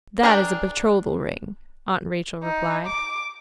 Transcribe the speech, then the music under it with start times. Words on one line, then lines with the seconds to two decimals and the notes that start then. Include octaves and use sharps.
"That is a betrothal ring," Aunt Rachel replied.
0.23 D4 G#4 A#4 G5
2.44 D#4
2.86 D6